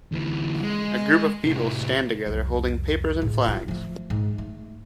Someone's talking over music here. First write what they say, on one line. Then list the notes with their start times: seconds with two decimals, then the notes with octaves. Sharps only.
A group of people stand together holding papers and flags.
0.12 D2 E3
0.63 G#3
1.44 C2 A2
2.26 C2 F2
3.22 A2 C#3
3.45 E4 F4
3.68 F3 A3
4.10 G#2
4.38 A3